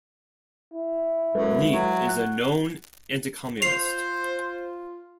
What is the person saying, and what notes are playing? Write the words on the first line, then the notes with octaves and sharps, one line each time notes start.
Ni is a known anti-communist.
E4
F#2 G#3 A4 B4
F#3
F#5 F#6
F4 C5 C7 F7